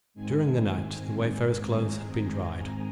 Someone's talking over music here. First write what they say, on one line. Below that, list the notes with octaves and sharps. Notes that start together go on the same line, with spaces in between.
During the night the wayfarer's clothes had been dried.
G#2 D#3 G#3 C4 G#5
A#5